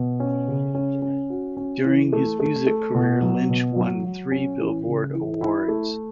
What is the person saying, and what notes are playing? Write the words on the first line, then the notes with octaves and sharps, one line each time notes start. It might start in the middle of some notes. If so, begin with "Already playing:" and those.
During his music career, Lynch won three Billboard awards.
Already playing: B2
C#4
C#3
C#4
C#4
F#4
C#4
E3
A3
A3
A3
B2
F#3
B2
F#3
F#3
C#4
E3
C#3
E3
E4
A3